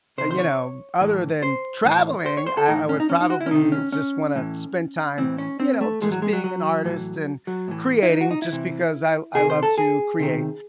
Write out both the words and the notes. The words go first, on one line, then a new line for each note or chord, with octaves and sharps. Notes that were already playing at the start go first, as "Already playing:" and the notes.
you know other than traveling, I I would probably just wanna spend time, you know, just being an artist and creating just because I I love to create.
C3 D#3 C5
C5
C#5
A2 E3
C5
A2 E3
C5
C#5
C5
A4
A2 E3 D#4
C#4
D#4
C#4
D#4
F#4
E4
C#4
C3 D#3 D#4
C#4
C#4
A2 E3
A2 E3 C4
C#4
C4
A3
A2 E3 G#3
F#3
G#3
F#3
F#3
A2 E3
F#3
A2 E3
E4
D#4
F#4
D#4
E4
C3 E3
C3 D#3 G#4
C5
A4
G#4
C3 D#3